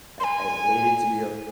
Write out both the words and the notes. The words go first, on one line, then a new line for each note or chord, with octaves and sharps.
I I hated to be a
C6
G#5